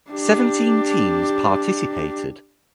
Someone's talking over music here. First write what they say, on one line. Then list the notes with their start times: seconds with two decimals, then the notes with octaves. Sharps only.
Seventeen teams participated.
0.11 D4 G4